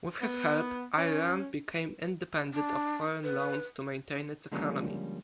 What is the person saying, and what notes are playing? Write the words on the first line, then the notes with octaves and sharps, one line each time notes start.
With his help, Iran became independent of foreign loans to maintain its economy.
B3
C#4
D4
B4
D3 F3 G3 G#3 A#3 C#4